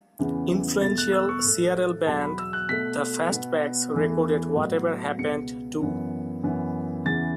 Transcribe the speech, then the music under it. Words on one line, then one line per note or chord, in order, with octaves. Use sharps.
Influential Seattle band The Fastbacks recorded Whatever Happened To...?
E2 C#3 E3 B3
E2 B2 A3 A6
F#6
E6
C#6
A2 A3
E2 B2 F#3 A5
B5
E6
F#6
B2 A3 B6
B2 B3
E2 E3 A3
A2 F#3 B3
C#2 B2 B3 C#7
F#2 E3 B3
F#2 E3 B3
E2 C#3 E3 B3 A6